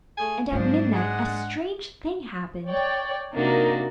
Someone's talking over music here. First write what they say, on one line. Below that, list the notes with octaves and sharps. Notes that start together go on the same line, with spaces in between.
And at midnight a strange thing happened.
A3 G#4 G#5
G#2 F3 F#3 C4 D4 C5
G#3 F#5
C#5 D5 G5
C3 A#3 D4 D#4 F#4 A#4